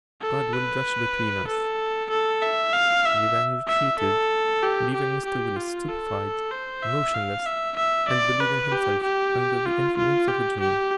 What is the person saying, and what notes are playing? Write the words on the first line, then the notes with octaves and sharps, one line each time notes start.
God will judge between us.' We then retreated, leaving Mr. Willis stupefied, motionless, and believing himself under the influence of a dream.
A4
B4
A4
A4
E5
F5
E5
E5
A4
G4
G4
G4
F4
A4
C5
E5
F5
E5
E5
D5
B4
G4
G4
F4
F4
G4
G4